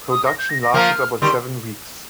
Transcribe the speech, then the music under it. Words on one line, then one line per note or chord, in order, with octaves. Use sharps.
Production lasted about seven weeks.
D#6
A#6
G6
A#6
A#6
F3 A#3 F6
D#3 G3 C6